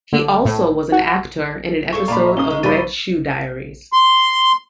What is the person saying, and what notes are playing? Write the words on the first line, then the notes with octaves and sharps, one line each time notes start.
He also was an actor in an episode of "Red Shoe Diaries".
D3
A2
F#4
G2 G#4 A4 C#6
A#2 G3 D5 F5 A#5 B5
D#5 E5
C#4 F5 D#6 G7
G#3
G2 C#3 E3 G3 D5 B5 A6 D#7
C6